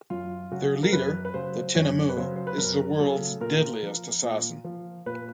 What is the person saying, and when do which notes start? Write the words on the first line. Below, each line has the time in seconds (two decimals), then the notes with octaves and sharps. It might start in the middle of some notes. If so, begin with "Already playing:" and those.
Their leader, the Tinamou, is the world's deadliest assassin.
0.10 F#2 F4
0.52 C#3 F#3 F#4
0.83 A#4
0.92 F#2 B4
1.25 B4
1.34 C#3 F#3 C5
1.75 F#2 C#5
2.09 B4
2.17 C#3 F#3 C5
2.36 C5
2.47 B4
2.58 F#2 A#4
2.99 C#3 F#3 A4
3.40 A#2 A#4
3.83 F3
4.23 A#2
4.64 F3
5.06 A#2 B4